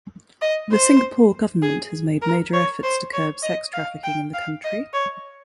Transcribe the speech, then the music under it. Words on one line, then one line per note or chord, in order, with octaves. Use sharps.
The Singapore government has made major efforts to curb sex trafficking in the country.
D#5
C5
G#4
A#4
C#5
C5
C#5
D#5
F5
G5
F5
D#5
C#5